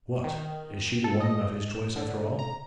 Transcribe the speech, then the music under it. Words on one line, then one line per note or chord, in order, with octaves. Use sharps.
'What--is she the woman of his choice after all?'
D#3
A4
D#5
E7
D3
A#5